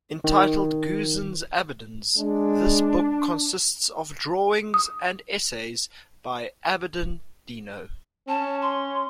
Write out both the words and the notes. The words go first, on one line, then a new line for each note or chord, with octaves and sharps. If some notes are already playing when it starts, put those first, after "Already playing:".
Entitled "Guzin's Abidins", this book consists of drawings and essays by Abidin Dino.
D#3
G#3 D4
D#6
C#4 A5
C6